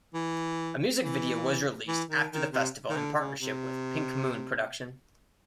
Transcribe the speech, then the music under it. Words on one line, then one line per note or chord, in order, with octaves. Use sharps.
A music video was released after the festival in partnership with "PinkMoon" production.
E3
E3
E3
D#3
D#3
C3
D#3
D3
C#3
C3